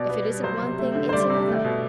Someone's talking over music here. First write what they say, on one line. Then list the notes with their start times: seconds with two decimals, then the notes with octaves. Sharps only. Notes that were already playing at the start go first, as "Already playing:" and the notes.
If it isn't one thing, it's another.
Already playing: B2 D5
0.09 B3
0.27 G3
0.43 F#3 C5
0.62 C3
0.79 A3
0.95 D3
1.09 C5
1.13 G3 D5
1.30 C3
1.48 A3
1.65 B2